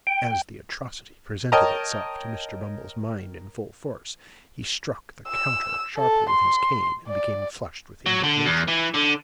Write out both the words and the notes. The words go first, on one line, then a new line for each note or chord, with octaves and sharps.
As the atrocity presented itself to Mr. Bumble's mind in full force, he struck the counter sharply with his cane, and became flushed with indignation.
G5
A#4 C#5 D#5 G5 A5 A#5
E6
A4
C6
D5
F#3
D3
E2
E3
D3